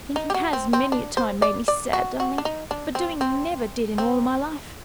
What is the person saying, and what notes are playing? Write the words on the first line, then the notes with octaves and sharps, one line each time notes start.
Thinking has, many a time, made me sad, darling; but doing never did in all my life.
D#4
G4
F#4
C4
C4
D4
C5
D5
D5
F#4
F#4
D4
D#4
D4
C4
C4
C4